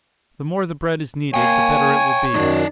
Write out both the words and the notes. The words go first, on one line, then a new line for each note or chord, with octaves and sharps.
The more the bread is kneaded, the better it will be.
A#3 C#5 F5 G5 G#5
F#2 D#3 F#3 D#4 D5